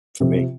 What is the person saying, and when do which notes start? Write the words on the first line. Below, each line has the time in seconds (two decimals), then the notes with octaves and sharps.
for me.
0.20 C3 F3 C4